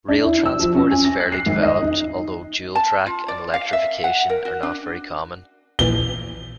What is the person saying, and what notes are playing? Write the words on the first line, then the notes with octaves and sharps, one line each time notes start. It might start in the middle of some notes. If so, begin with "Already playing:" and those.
Rail transport is fairly developed, although dual track and electrification are not very common.
D4
E4
E6
F3
C#4
G#5
A#6
F#6
C7
G#1
D#5
D#4
A5
F4
D5
F5
E5
F#5
A#4
F#4
D4
A#1 A#2 E3 G7